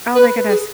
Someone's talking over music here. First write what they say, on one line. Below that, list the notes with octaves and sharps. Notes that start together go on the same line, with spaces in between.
oh my goodness
B4
G#4